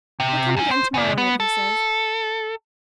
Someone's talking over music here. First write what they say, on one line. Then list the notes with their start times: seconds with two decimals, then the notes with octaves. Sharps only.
'He'll come again to-morrow night, he says.
0.20 C3
0.57 E2 C#4
0.71 C5
0.94 C#3 D5
1.18 B3
1.40 A4